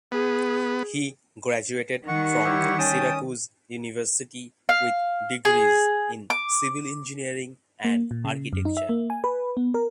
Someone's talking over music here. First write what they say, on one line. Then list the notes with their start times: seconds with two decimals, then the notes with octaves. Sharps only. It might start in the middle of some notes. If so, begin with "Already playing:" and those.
He graduated from Syracuse University with degrees in civil engineering and architecture.
0.12 B3 G#4
2.08 D#3 G3 F#5 C#6
2.44 E4 G4 C#5
2.78 C#4 G5 A5 D#6
4.69 F5
5.45 G#4
6.30 D6
7.84 A#3
8.11 A#2
8.25 C#3
8.53 F#2
8.65 D#4
8.77 E5
8.89 A#3
9.10 G#5
9.24 B4
9.57 B3
9.74 A#4